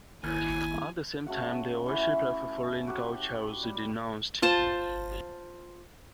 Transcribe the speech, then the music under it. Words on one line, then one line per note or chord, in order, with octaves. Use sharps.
At the same time the "worship" of foreign culture was denounced.
D#2 E4 G#5
C#3 A3 F#4 F#5
E3 C#4 E4
F#4 G4 B4
G3
F4 C5 A5